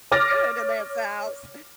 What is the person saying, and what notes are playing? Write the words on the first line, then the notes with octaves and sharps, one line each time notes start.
good in this house."
C#5 D6 F6 A6 A#6